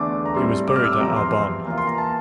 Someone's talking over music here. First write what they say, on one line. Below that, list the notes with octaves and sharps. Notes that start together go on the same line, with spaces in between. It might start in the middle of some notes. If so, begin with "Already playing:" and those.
He was buried at Arbonne.
Already playing: E2 D3 A3 D4 D6
A#5
A2 G3 C4 E4 C6
D6
F6
E6
D6
E2 C3 F3 C4 A#5
C6
C6
E3 A#3 F4
C6
A#5
A5